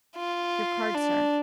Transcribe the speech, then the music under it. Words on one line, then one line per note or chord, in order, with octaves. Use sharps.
"Your card, sir."
F4
D4